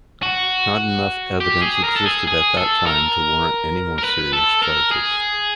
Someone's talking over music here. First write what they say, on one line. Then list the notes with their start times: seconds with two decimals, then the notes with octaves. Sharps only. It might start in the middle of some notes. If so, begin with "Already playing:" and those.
Not enough evidence existed at that time to warrant any more serious charges.
0.23 F#4
1.40 G4
1.62 G#4
1.84 A#4
1.96 A4
2.06 G#4
2.27 G#4
2.57 A4
2.86 A#4
3.98 A#4
4.04 B4
4.33 A4
4.62 A#4
4.91 G#4